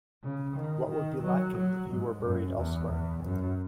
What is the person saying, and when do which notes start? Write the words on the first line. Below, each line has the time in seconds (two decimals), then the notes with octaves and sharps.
What would be lacking if he were buried elsewhere?
0.23 C#3
0.57 D#3
0.90 D#3
1.23 F#3
1.57 F#3
1.90 G#2
2.24 F#2
2.57 E2
2.90 E2
3.24 F#2